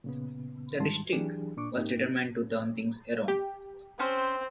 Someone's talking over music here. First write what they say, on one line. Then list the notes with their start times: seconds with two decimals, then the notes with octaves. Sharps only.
The District was determined to turn things around.
0.04 A#2 C#3 B3
0.79 G#2 D#3 G3 G#3 A5 C6
1.13 E3 F#3 D4 G4 G#4
1.57 A#2 D4 C#6 D6
1.76 G#2 A#3 D#4 G4
3.28 G4
4.00 C4 C#4 C5